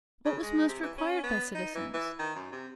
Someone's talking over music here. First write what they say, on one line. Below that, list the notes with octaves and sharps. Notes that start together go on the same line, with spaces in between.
What was most required by citizens?
C#3
G#3
C3
E3
C#4
B3
D#4
E3
E3
D#3
F#2
C3